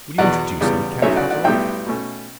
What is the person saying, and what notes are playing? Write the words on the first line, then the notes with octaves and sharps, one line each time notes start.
"Will you introduce me, Count Pateroff?"
E2 B2 F#3 B3 D5 F#5
E2 C#3 G3 B3
B1 A2 F#3 A3 C#4 C#5 E5
D5 F#5
D5 F#5
B1 A2 G3 B3 E5 G5
B2 A3 C#4